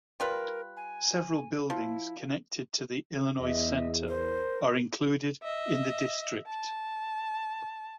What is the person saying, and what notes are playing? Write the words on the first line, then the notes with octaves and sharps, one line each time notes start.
Several buildings connected to the Illinois Central are included in the district.
G3 F4 A#4 B4
G#5
F3 E4
E2 D#5 E5
A#4 C5
D#5 E5
A5